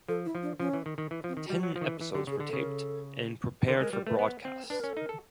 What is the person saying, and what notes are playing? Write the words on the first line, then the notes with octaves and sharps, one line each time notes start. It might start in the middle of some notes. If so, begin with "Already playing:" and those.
Ten episodes were taped, and prepared for broadcast.
F3 A4
E4
F3
D4
F3 C#4
E3
D#3
D#3
E3
F3
C4
D#3
G3 F#4
F#3
F3
D#3
E3
E3
D3 G4
C#3 G#4
D3
A4
C#3
A#4
A4
D3 A#4
G#3 A#4
B4
G3 A#4
A3 B4
B3
C4
D4 B4
C#4 A#4
A4
D#4 A#4
A4